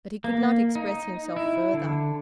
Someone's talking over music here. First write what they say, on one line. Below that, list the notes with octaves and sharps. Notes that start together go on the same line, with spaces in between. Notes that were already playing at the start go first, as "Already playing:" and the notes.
But he could not express himself further.
A#3
D#4
E4
D3